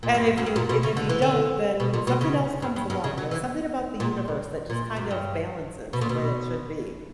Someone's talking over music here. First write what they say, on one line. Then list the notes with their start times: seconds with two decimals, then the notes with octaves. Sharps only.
And if you and if you don't, then something else comes along. There's something about the universe that just kind of balances the way it should be.
0.03 A#2
0.14 G2
0.37 F#2
0.46 G2
0.56 A#2
0.69 B2
0.83 C#3
0.97 D3
1.09 E3
1.22 D3
1.80 B2
1.94 A#2
2.07 B2
2.21 C#3
2.62 G2
2.76 G2
2.90 G2
3.04 C#3
3.18 F#3
3.31 E3
4.00 A#2
4.28 G2
4.70 A#2
4.96 F#2
5.11 G2
5.93 B2
6.01 A#2
6.09 B2